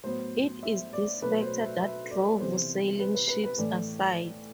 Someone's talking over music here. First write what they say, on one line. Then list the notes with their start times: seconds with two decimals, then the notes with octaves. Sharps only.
It is this factor that drove sailing ships aside.
0.04 A2 F#3 B3 C5
0.63 E5
0.93 D5
1.22 B2 F#3 A3 B4
1.41 C5
1.61 E5
1.81 E5
2.11 D5
2.40 C3 E3 B3 C5
2.99 B4
3.15 B4
3.28 B4
3.44 B4
3.58 A2 E3 A3 D5